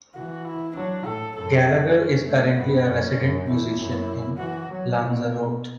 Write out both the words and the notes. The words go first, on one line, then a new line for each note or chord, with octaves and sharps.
Gallagher is currently a resident musician in Lanzarote.
E3 F#4
E4
F#3 D4
A2 A4
F#2 A4
D4
C#4
A3
G2 B3
F#2 C#4
F#2
E2 E4
F#2
E3 F#4
F#3
B2